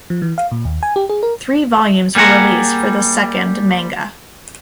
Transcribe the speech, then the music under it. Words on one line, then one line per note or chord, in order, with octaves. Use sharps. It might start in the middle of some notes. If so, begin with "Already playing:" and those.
Three volumes were released for the second manga.
F3
E3
F5
A#2
D#2
G#5
G4
G#4
A#4
G3 A#3 G#4 F#5 A#5